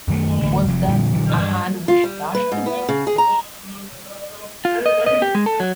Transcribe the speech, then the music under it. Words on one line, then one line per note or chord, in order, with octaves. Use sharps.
Was that a hand which touched me?
F#2 D#3 F#3 A3
A1 D3 F#3 A3
F1 F2
A#2 D3 F3
A#2 D3 E3 F#3
G2
F4
G3
B4
G#2
B3
C#3
G#4
A#5
F4
D#5
D#5
G4
G#3
A4
F#3